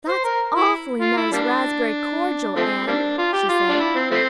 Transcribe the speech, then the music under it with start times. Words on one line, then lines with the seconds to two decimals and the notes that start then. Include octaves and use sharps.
"That's awfully nice raspberry cordial, Anne," she said.
0.08 C5
0.24 A#4
0.55 E4
1.01 F4
1.17 E4
1.32 G3 A#3 D4
2.56 F3 A3 C4
2.87 G3 A#3 D4
3.18 F4
3.33 G4
3.49 F4
3.69 D4
3.80 E4
3.95 C4
4.11 F3 A3 C4